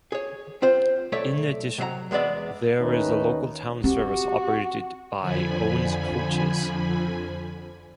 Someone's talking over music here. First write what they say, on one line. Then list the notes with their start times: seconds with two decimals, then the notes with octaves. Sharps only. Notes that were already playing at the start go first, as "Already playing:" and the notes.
In addition there is a local town service operated by Owen's Coaches.
0.12 G#4 C#5
0.62 C4 F4 C5
1.12 B1 A3 C#5 D5 E5
1.78 C3 F#3 F5 A#5
2.11 E2 G#3 B3 D5 E5
2.80 D#2 D#3 A3 C#4 D#4 B4
3.84 C4 F#4 G4
5.20 F2 D3 F3 G#5 B5